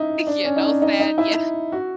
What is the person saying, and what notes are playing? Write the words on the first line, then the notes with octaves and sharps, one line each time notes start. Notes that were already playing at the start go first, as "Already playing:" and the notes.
Yeah, no sad. Yeah
Already playing: D#4 E4
D4
C#4
D#4
D4
D#4
D#4
E4
F#4